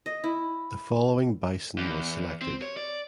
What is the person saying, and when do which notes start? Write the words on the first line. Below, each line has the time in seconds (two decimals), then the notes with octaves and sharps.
The following Bison was selected.
0.06 D#5
0.24 E4
1.78 E2
2.42 C4
2.62 C#5
2.77 D5